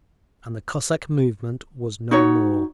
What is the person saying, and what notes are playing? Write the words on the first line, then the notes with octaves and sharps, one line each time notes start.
And the Cossack movement was no more....
D#4 F#4 C#5